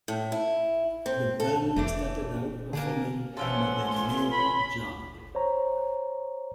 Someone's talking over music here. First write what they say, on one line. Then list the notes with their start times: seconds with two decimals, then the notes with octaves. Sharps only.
The band started out performing under the name Jar.
0.08 A2
0.32 E4
1.06 C4
1.40 A4
1.76 F1 E3 A3 D4
2.73 D3 A#3 D4 G#4
3.37 E3 F3 C#4 A4 F#5 C6
4.31 B5
5.35 C5 C#5 A#5